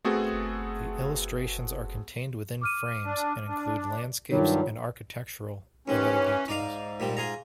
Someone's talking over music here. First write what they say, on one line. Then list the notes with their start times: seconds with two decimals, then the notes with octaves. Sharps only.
The illustrations are contained within frames and include landscapes and architectural and other details.
0.05 A3 B3 C4 F#4 G#4 A4
2.61 D6 F6 D#7
3.06 D4
3.48 D4
4.31 G2 D#3 F#3 G3 F4 C#5
5.88 D#2 E3 C4 C#4
6.48 G#2 D#4 D5 F5
7.00 A#2 G3 C4
7.17 F4 G#4 A#5